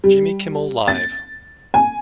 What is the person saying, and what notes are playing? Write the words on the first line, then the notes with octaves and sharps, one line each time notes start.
Jimmy Kimmel Live!
G3
A6
G#5